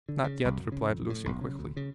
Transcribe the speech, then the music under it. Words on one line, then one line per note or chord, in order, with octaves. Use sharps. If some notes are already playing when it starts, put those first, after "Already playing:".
"Not yet," replied Lucian quickly.
D3
C#3
C2
F#2
C#3
F2
A2
B1
C#3
D2
C#3